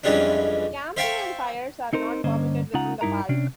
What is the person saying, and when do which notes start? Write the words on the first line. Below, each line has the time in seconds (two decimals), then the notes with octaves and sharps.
Camping and fires are not permitted within the park.
0.04 F2 E3 G3 G#3 C#4 D4
0.97 C5 E5 F5 G5 A5 C#6
1.93 C4 D#4 A#4 C5
2.24 G2 D3 A#3 C#4 C5 D#5
2.74 C#2 C#3 D#4 F4 F#5 A#5
3.01 G2 G3 D#4 E4 A#4 A#5
3.29 C3 C#4 D4